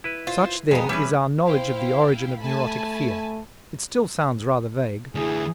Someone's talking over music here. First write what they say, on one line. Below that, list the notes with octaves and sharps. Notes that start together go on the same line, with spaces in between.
Such then is our knowledge of the origin of neurotic fear; it still sounds rather vague.
E4 B4
F4 C5
F2 G#3 B3 D#4
E3 G3 G#3 C#4 B4
E4 C5 F5 G5
A3 G#5 A5 B5
D2 E3 E4 G#4